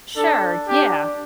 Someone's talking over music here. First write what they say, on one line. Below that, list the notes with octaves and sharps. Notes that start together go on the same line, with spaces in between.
Sure, yeah.
D4 A4
D4 G4